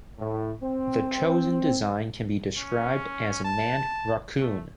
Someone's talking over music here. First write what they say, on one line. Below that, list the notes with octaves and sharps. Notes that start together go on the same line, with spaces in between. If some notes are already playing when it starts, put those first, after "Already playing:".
The chosen design can be described as a manned rockoon.
A2
C4
C#4
A5
A3